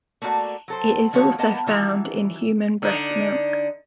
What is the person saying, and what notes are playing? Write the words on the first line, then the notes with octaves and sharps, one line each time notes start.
It is also found in human breast milk.
A3 A#3 D4 D#4 F#4 D5
F#3 A4 C5
D#3 F3 A3 F#4 C#5
A#3 B3 D#5 A5
D#3 E3 F#3
D3 D#4